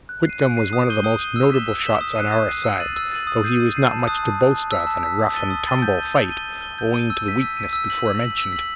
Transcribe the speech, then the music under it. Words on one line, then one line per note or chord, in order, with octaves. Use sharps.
Whitcomb was one of the most notable shots on our side, though he was not much to boast of in a rough-and-tumble fight, owing to the weakness before mentioned.
F#6
C7 D#7
F#6
C7 D#7
D#6
G6 D#7 G7
D#6
G6 D#7 G7
E6
B6 E7 G7
E6
B6 E7 G7
D#6
F#6 C7 D#7
D#6
F#6 C7 D#7
E6
A6 D#7 F#7
E6
A6 D#7 F#7
D#6
G6 C7 D#7
D#6
G6 C7 D#7
A5
D#6 F#6
A5
D#6 F#6
A5
E6 B6
A5
E6 B6
D#6
A6 D#7 G7
D#6
A6 D#7 G7
G6
D#7 G7
G6
D#7 G7
G6
D#7 G7
G6
D#7 G7
E6
B6 D#7
E6
B6 D#7
E6
B6 F#7
E6
B6 F#7
E6
B6 F#7